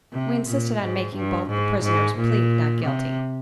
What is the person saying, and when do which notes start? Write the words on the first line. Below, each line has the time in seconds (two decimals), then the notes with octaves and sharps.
We insisted on making both the prisoners plead not guilty.
0.13 C3
0.48 A#2
0.82 G#2
1.15 G2
1.49 G#2
1.83 G#2
2.17 A#2
2.85 C3